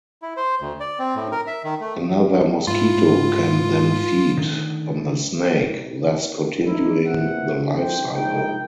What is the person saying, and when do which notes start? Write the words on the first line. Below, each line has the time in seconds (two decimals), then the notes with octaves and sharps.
Another mosquito can then feed on the snake, thus continuing the lifecycle.
0.22 E4
0.37 C5
0.61 D2
0.80 D5
0.99 C4
1.15 A2
1.32 A#4
1.47 E5
1.64 D#3
1.81 A3
2.67 G#2 E4 F4
4.38 D3 D#3 A3
6.64 D#4 E4
7.06 E2 A#2 E3 C4 E5 F#5
7.75 C2 F2 D3 C5 G5
8.14 A#1 G2 G#3 D#4 G5